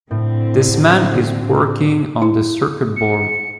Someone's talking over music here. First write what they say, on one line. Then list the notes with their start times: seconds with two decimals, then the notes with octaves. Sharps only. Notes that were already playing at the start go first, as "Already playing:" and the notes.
This man is working on the circuit board.
0.11 A2 D3 C4
2.22 E4
2.96 C#7